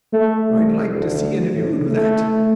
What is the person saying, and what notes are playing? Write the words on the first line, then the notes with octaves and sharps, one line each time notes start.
I'd like to see any of you do that!
A3
C2
D2
A2
A3